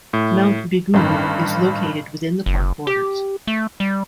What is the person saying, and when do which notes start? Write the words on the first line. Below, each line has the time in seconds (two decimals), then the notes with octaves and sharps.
Mount Bigugu is located within the park borders.
0.13 A2
0.94 A1 G2 D#3
2.46 F#1
2.87 G4
3.47 A3
3.80 G3